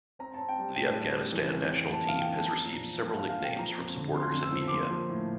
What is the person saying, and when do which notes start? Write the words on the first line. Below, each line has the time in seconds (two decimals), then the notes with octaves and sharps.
The Afghanistan national team has received several nicknames from supporters and media.
0.19 C4 A#5
0.34 C4 A5
0.49 G5
0.58 G3
0.76 A2 G5
0.95 G3
1.14 G3
1.33 E3
1.52 F2
1.70 F2
1.89 A#3 A5
2.08 E3 F5
2.21 G5
2.26 F2
2.34 A5
2.45 F3 A#5
2.65 A#2
2.74 A#5
2.83 F3
3.02 F3 A5
3.17 F3 F5
3.30 F5
3.40 A#2 G5
3.59 F3 A#5
3.77 F2
3.96 D3
4.15 F2 C6
4.34 F2
4.43 E6
4.53 F3
4.67 D6
4.71 A#3 C6
4.90 F3
5.09 A2